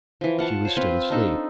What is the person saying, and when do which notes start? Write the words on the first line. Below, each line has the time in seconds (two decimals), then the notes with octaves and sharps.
She was still asleep.
0.21 E3 F3
0.39 F4 F#5 A5 C#6
0.65 C5 C#5
0.77 C4 F4 B4
1.10 D4 D#4 A4